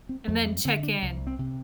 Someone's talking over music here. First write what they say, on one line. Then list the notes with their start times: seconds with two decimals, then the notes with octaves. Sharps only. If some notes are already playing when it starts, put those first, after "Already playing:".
And then check-in.
0.09 C4
0.28 F2 A3
0.46 G3
0.65 D3 C4
0.83 D4
1.02 C2
1.27 C4
1.39 C3